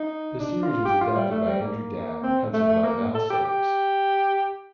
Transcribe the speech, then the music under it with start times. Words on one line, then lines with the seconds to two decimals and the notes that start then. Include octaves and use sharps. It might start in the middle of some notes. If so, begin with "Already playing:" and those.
The series was adapted by Andrew Dabb and pencilled by Val Semeiks.
Already playing: D#4
0.40 D4
0.63 F4
0.85 G4
1.01 F4
1.15 G3
1.31 A3
1.46 G3
1.61 A#3
2.23 C4
2.53 A3
2.69 A3
2.83 A#3
3.15 A4
3.30 G4
3.45 G4